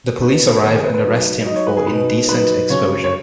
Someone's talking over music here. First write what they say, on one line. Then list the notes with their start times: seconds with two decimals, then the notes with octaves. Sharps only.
The police arrive and arrest him for indecent exposure.
0.21 B2 B3 D#4 B4
0.63 D#3 B3 D#4 C#5
0.73 G#4
0.84 B4
0.94 B4
1.04 F#3 D#4
1.46 F#3 D#4 D#5
1.56 C#5
1.67 B4
1.77 G#4
1.87 B2 B3 D#4 B4
2.29 F#3 D#4 B4
2.70 C#3 F#3 C#4 C#5
3.04 C#5